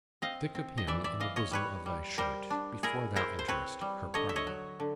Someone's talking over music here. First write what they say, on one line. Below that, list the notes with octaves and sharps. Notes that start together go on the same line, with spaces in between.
Stick a pin in the bosom of thy shirt, before thou enterest her parlour.
C4 D#5 F5
C4
D#5
E3 D5 E5
D5 E5
E3 D#5 F5
C#5 D#5
G3 B4 C#5
G3
G3 A#4 C5
D4
E4 G#4 A#4
E4 A#4 C5
C5
C4 B4 C#5
G3
D3 C#5 D#5
E5
C#5 D#5
F#3
D3